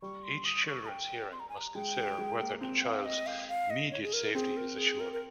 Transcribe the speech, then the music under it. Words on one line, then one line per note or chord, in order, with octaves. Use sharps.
Each Children's Hearing must consider whether the child's immediate safety is assured.
G3 C#6
C6
D#6
C#6
G5
C6
A#5
G#5
A#5
G#3 G5
G#3
G#3
A#3
C4 G5
F5
D#5
F5
F5
D#5
C#5
G#4
A#4
C4 G#4
A#4
G#4
A#4
A#4